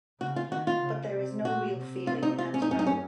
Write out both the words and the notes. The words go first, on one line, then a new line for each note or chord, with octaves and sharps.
But there is no real feeling and no.
C#3 F#4
F4
D#3 F#4
F4
C#3
C3
A#2 F#4
C3
F4
D#4
F4
C#4
D#4
F#2 C#4
D#4
C#4